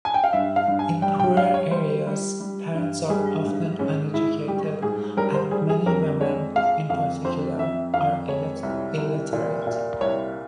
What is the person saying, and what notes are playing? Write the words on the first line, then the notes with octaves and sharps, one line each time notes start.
In poorer areas, parents are often uneducated, and many women, in particular, are illiterate.
G#5
G5
F5
G2 E5
F5
G2
G#5
G3 G5
G5
G3 F5
C#5
G3 C5
G3
G3
G2
G3 G#4
G#2
G#2 C#4
G#2 E4
G3 G4
G#2 G#4
G3 A#4
C5
G3 G#4
G#4
F2 A#4
G#3 C#5
G#3 F5
F2 F5
F2 C5
F2 E5
F2 F5
G#3 C#5
C2
C2
A#2
A#2
C2 C#5